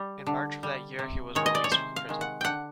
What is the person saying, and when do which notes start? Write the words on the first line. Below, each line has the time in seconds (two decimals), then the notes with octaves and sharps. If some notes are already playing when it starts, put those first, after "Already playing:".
In March of that year, he was released from prison.
Already playing: G3
0.27 D3
0.63 G3
0.99 C3
1.35 D#3 G#3 C#5
1.46 D#5
1.55 D5
1.64 C#5
1.72 C3 C5
1.96 F5
2.09 D#3 G#3
2.21 F#5
2.41 D3 F#5 G5